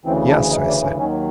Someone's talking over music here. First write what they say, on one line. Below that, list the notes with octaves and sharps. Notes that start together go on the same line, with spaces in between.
"Yes," I said.
D2 C#3 E3 C4
D4
D#4
D4
C#4
D#2 D#3 F#3 C#4